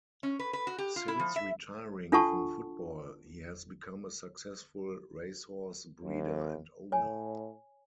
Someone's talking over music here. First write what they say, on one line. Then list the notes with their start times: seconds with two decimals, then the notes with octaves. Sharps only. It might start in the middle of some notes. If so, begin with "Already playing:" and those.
Since retiring from football, he has become a successful racehorse breeder and owner.
0.23 C#4
0.39 B4
0.53 B4
0.67 F#4
0.78 G4
0.96 F4
1.08 E4
1.19 F3
1.36 E5
2.12 D4 F4 A4 F#5 A5 C#6
6.04 D#2
6.92 A2 C#5 G#5